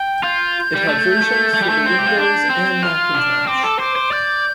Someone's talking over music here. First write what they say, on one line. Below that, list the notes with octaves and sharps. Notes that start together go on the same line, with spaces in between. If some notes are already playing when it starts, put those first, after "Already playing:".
It had versions for the Windows and Macintosh.
Already playing: G5
F4 G6
G3
A3
A3
A3
G3
A3
C4
G4
F4
D4
C4
F4 F6
D4
C4 D6
A4
C5 D6
C5
D5 G6